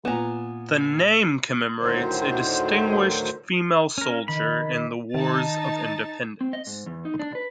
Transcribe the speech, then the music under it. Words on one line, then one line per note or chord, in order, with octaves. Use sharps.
The name commemorates a distinguished female soldier in the wars of independence.
A#2 B3 G#5 A#5 E7
D2 A2 D3 D#3 F#3 C5
C#4 A#4
D#3 B5
D#3 D#4 A5 A6
C4
D#5
G#2
E2
D#4
D4
B4